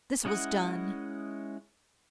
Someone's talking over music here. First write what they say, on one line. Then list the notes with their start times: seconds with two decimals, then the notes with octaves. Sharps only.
This was done.
0.25 G#3 C#4 E4 D#5 F#5